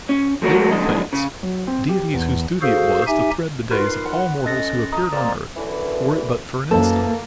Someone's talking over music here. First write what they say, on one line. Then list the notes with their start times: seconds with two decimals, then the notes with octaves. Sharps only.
They were the Fates, deities whose duty it was to thread the days of all mortals who appeared on earth, were it but for an instant.
0.09 C#4
0.42 F3 A3 F#4 G#4 A#4 C#5
0.71 F#2 D3 F3 G#3 D#5
1.13 C#3
1.43 F#3
1.67 C4
1.89 G4
2.14 E2
2.62 F#4 G#4 A4 C5 F5
3.07 D#4 G4 E5 G#5
3.71 D#4 F4 F#4 A#4 B4 C6
3.87 C7
4.05 F#5
4.46 C#4 A4 D#5 A6 A#6
4.92 D#5 A5 A#5 D#6
5.13 A#3 C4 D5 D#6
5.56 F#2 D3 E3
6.71 F#2 B2 E3 A#3 A4 C5